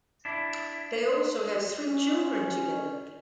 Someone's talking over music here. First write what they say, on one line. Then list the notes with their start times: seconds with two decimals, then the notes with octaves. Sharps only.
They also have three children together.
0.25 D4 E4
1.86 C#4